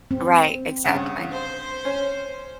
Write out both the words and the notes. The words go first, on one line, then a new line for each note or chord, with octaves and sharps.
Right, exactly.
C4
G2 C#3 F#5
C5
C#4